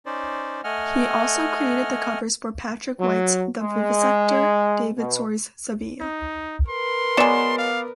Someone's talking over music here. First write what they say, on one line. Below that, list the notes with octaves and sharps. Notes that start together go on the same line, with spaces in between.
He also created the covers for Patrick White's "The Vivisector", David Storey's "Saville".
C#4 D#4 C5 D5
A3 D#5 F#5 G#5 F6
F#3
G#3
B2
D#4
A#4 B4 C6
F#3 G#3 B3 D5 E7
F5